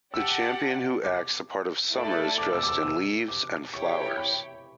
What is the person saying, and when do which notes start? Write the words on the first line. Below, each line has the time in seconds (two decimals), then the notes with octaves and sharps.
The champion who acts the part of Summer is dressed in leaves and flowers.
0.13 G4 D5 F#5 A5 E6
1.04 D6
1.93 A3 E4 A4 D5 A5
2.38 D6
2.53 E6
2.63 D6
2.69 E6
2.83 E6
3.28 D6
3.73 E4 G4 C#5 G5 C#6
4.18 B5